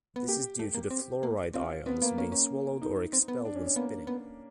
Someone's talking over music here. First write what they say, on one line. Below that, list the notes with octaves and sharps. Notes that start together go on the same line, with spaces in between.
This is due to the fluoride ions being swallowed or expelled when spitting.
B3
A#3 G4
A3
A#3
C4
A#3
C4 F4
B3 C4
A#3 B3
A#3 C#4
C#4
D#4
C4
B3
D4
C#4
C#4
A#3 B3
B3